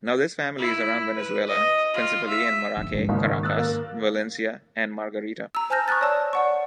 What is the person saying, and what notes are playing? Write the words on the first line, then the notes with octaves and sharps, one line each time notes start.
Now this family is around Venezuela, principally in Maracay, Caracas, Valencia and Margarita.
E4
B4
D#5
F4
E5
G1
G#2 D#3
F#1 D#4
E6 F#6 A6
A#3
A#5 E6
C5 G#5 A5 F6 G6 A#6
C#6 D#6 F6 F#6 A6
C#5 D5 A5 E6
D5 F#5 C#6